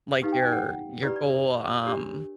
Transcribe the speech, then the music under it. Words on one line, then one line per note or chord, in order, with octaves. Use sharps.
like, your your goal, um
D#4 G4 B4 F5
G5
G#5
F#5
E4 G4 B4 D5
D5
E5
D4 G4 A#4 C#5